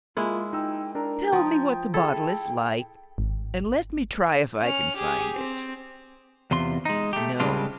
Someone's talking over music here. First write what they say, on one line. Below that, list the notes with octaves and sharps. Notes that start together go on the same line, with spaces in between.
'Tell me what the bottle is like, and let me try if I can find it.' No!
G#3 A#3 E4 F4
D#4 G5 E6
D4 A#4 A#5
F3 G5 D#6
E4 G#4 A4 G5
G#1
C#4 F6
G4 G#4
C4
E2 C3 F4 C6
G#3 D#4
A3 G4
C#3 G3 G#3 C4 D4 F4